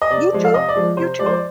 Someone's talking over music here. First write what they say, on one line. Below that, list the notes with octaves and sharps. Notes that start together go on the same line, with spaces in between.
You too? You too?
D#5
C3 D5
F3 G#3
F5
C3 D#5
D5
F3 G#3
C3 C5
F3 G#3 D5
C5
D5